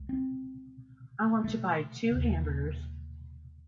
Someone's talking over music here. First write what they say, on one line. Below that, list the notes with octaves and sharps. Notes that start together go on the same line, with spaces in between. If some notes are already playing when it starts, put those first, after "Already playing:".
I want to buy two hamburgers.
Already playing: C#2
C4
A3
D#2 C#3